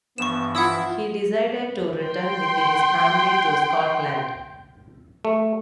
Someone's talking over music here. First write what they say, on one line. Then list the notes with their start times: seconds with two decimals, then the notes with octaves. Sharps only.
He decided to return, with his family, to Scotland.
0.18 G2 E3 F3 B3 C#6 E7
0.55 E4 F4 F#5 D#6 E6
2.02 G5 C6
5.25 A3